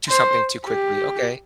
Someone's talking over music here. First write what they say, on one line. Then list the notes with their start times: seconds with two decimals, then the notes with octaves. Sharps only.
Do something too quickly. Okay.
0.09 C5
0.67 G4